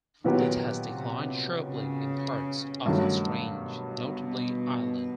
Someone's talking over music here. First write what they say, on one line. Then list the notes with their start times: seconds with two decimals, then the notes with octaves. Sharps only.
It has declined sharply in parts of its range, notably Ireland.
0.24 A#2 D#3 F#3 B3 D#4 G4
0.90 C3
1.55 C#3
2.86 G2 D#3 F#3 A3
3.51 B2